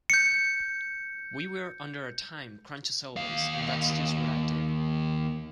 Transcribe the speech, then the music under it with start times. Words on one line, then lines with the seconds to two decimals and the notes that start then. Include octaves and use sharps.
We were under a time crunch as always and that's just what I did.
0.10 G6 C#7
3.16 D#2 F5